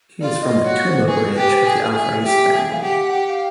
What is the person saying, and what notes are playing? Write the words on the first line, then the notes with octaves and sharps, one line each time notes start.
He is from the Tumah branch of the Al Faiz family.
F4 D5
D#5
F#4 C#5
C5
G#4 B4
B4
G4
C5
B4
G#4
G#4 E5
G4
G#4
F5
G4 F#5
G4
F#5
F5